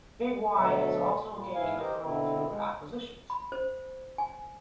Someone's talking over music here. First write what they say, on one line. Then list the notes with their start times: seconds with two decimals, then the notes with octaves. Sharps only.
Big Y has also occasionally grown through acquisitions.
0.54 D2 B2 F#3 A4 E5
1.28 A#2 G3
1.55 G#2 E3 E4 F5 G#5
1.79 G4 A#4 C5 D#5
2.02 B2 D3 C4 E4
2.46 G#3
3.30 B5
3.52 C5
4.18 G#5